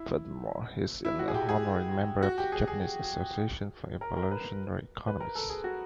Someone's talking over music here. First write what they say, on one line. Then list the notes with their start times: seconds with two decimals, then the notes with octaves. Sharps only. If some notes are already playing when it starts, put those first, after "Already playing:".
Furthermore, he is an honorary member of the Japanese Association for Evolutionary Economics.
Already playing: E4
1.05 E4
1.19 F#4
1.28 G#4
1.34 G4
1.49 G#4
2.23 F#4
2.38 G4
2.52 G#4
2.68 G#4
4.01 A#4
4.17 A#4
4.31 B4
5.08 B4
5.20 A#4
5.35 A4
5.50 G#4
5.64 F#4